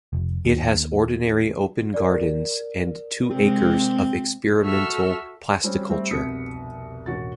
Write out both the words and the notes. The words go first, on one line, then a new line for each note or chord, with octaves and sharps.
It has ordinary open gardens and two acres of experimental "plasticulture".
F1
D#2
A#4 D5
C3 G#3 C4
F#4 A4 E5 E6 F6
G3 C4 C#4
G3 A3 C4
F1 C2 B2 D#6 B6 C#7
E1 A1 F#4 A6